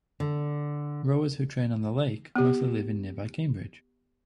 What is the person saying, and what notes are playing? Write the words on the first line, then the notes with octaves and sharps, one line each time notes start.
Rowers who train on the lake mostly live in nearby Cambridge.
D3
B3 G4